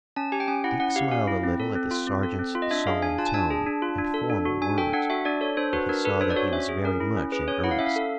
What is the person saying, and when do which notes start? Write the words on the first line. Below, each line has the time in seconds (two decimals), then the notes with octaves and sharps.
Dick smiled a little at the sergeant's solemn tone, and formal words, but he saw that he was very much in earnest.
0.16 C#4 A5
0.32 G4 G#5
0.40 G5
0.48 C#4 G#5
0.64 E4 F#5
0.80 C#4 F#5
0.96 G4 F5
1.11 C#4 F5
1.28 E4
1.43 C4
1.60 A4
1.75 C4
1.91 F4
2.07 C4
2.23 A4
2.39 C4
2.55 F4
2.62 D#5
2.71 D4 E5
2.87 G#4 F5
3.02 D4 G#5
3.18 F4 A5
3.26 G#5
3.34 D4 A5
3.50 G#4
3.67 D4
3.82 F4
3.98 D4
4.14 A4
4.30 D4
4.45 F#4
4.62 D4 G#5
4.78 A4 G5
4.93 D4 F#5
5.10 F#4 E5
5.25 D4 D5
5.41 A4 C#5
5.57 D4 C5
5.73 F#4 B4
5.89 D4 A#4
6.05 A4 B4
6.21 D4 C5
6.30 D5
6.36 F#4 C#5
6.52 C#4 E5
6.69 G#4
6.84 C#4 A#4
7.00 E4
7.16 C#4
7.32 G#4 B4
7.48 C#4 C#5
7.64 E4 F#5
7.71 F5
7.79 C#4 E5
7.86 F5
7.96 A4